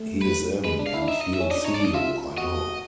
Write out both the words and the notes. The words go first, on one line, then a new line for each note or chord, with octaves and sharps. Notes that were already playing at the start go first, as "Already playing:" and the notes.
He is in, and he’ll see you, I know.
Already playing: A3
B4
G#3 B4
D4
F5
E4
D4
D#4 E5
D#5
E5
C#4
D4 D#5
D#4 C#5
D5
D4
D#5
F4 E5
F#4 D#5